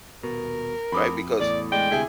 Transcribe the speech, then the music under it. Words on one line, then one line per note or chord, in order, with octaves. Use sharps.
right? Because
D#1 B2 A#4
F2 B5 D6 D#6
E2 A2 D5
G#3 D5 G5
D2 C3 E4 G#4 E5 G#5